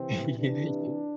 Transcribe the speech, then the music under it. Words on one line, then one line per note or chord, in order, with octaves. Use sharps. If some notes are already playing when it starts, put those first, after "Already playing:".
Yeah, yeah.
Already playing: C3 E3 C4
C3 E3 D4